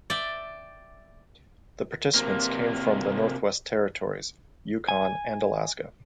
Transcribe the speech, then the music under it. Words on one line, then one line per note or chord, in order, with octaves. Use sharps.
The participants came from the Northwest Territories, Yukon and Alaska.
D5 E5 G5
C3 A#3
G#5